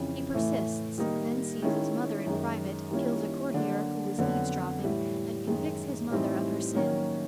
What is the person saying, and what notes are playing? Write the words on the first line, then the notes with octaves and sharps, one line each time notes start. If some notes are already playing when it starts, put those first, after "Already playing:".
He persists, then sees his mother in private, kills a courtier who was eavesdropping, and convicts his mother of her sin.
Already playing: F2 C#3 E3
A2 E3 A3
D#3 G3 A#3 D#4
D#3 G#3 C#4 E4
F#2 D#3 G#3
D#3 G3 A#3 C#4 E4
D3 F#3 A#3 D4
F2 D3 F#3 B3 D4
A2 E3 G3
F#2 D#3 G#3
A2 E3 G3 C4 D#4
D#3 F#3 A#3 C#4